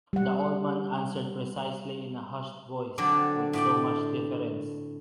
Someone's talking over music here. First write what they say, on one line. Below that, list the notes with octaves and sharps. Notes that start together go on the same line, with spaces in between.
The old man answered precisely in a hushed voice, with so much deference.
G3 F#5
D3 F#3 C4 D4 A4
A2 D5 G5